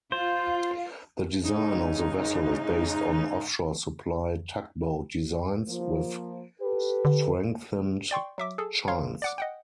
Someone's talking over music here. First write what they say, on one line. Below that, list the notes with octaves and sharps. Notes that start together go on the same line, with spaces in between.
The design of the vessel is based on offshore supply-tugboat designs, with strengthened chines.
F4 C5 F5
G#2 C#3 D#4
F3 A#3
G4 A4 B4
D3
D5 G5 C6 C#6
F#3 E5 D6
G#4 A4
C#5 F5 C6
D5 F#5 D6
D#5 F#5 G5